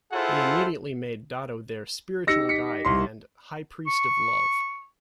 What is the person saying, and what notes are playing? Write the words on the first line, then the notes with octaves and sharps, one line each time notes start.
They immediately made Dado their "spiritual guide" and "high priest of love".
E4 F4 G#4 A4 C5 F#5
D#4 G4 D#5 E6 A#6 C#7
B6 C#7
C2 C6
C#6